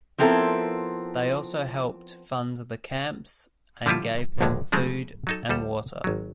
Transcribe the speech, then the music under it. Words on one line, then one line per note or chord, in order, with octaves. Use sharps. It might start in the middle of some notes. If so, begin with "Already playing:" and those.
They also helped fund the camps and gave them food and water.
F3 B3 C4 E4 A4 A#4
D3 F3 G3 E4 F4
A#1 D#2 A2 D3 G#3
C#3 F3 G#3 A3 C4
F#3 D#4 A4
D2 G3 A4
G#1 F#3